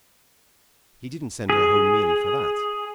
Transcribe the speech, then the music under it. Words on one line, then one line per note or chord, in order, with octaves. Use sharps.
He didn't send her home merely for that.
G#4